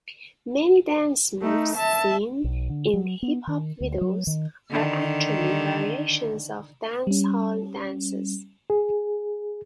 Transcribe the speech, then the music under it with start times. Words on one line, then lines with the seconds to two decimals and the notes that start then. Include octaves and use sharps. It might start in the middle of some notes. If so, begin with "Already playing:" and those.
Many dance moves seen in hip hop videos are actually variations of dancehall dances.
1.42 A3 D#4
1.76 E5 A5
2.44 B1
2.69 D3
2.94 F#3
3.23 B3
3.47 D#3
3.80 D2
4.01 F#3
4.27 D#3
4.71 D3 D#3
7.07 G3 C#4
8.70 G#4